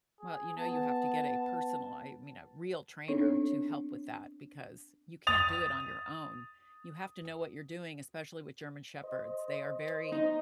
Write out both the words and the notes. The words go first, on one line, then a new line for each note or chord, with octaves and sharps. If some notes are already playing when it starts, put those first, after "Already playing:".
Well, you know, you have to get a personal I mean, a real trainer to help with that because you can't do it on your own. You have to know what you're doing, especially with German shepherds. They are very
G#4
B3 A5
B3 C4 D4 D#4 A4 C#5
D#6 A6 F7
C5 D#5
D#4